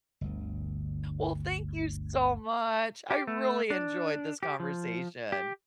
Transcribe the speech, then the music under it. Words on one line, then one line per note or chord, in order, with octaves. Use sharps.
Well, thank you so much. I really enjoyed this conversation.
G1 D2
G4
A3
D4
G4
F3
G4